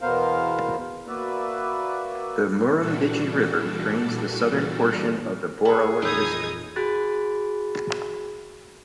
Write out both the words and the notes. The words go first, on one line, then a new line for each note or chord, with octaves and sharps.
The Murrumbidgee River drains the southern portion of the Boorowa district.
E2 B2 B3 A#4 C5 F5
A#3 F#4 B4 D5 E5
A#2 E3 G3 D4 F#4 A4
G#4 A4 B4 C#5
F2 A#2 E3 D#4 E4 D#6 G6 G#6
F#4 G#4 B5 F#6 A6